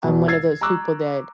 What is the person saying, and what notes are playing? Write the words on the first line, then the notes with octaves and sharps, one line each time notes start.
I'm one of those people that
E2 B2
E6 G#6 A6 C7
A#5 C#6 D6 E6 F#6